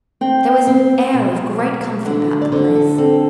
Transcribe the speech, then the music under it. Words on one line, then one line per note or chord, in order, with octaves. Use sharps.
There was an air of great comfort about the place.
C4 G5
C4
B2
F#3
D3 F#5
D5
D3 C5
A4
C4 A4